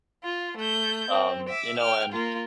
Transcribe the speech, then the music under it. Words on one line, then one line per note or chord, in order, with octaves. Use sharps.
um, you know, and
F4
A3 G6
C4
E5 D6
G5 F6
A#3 F4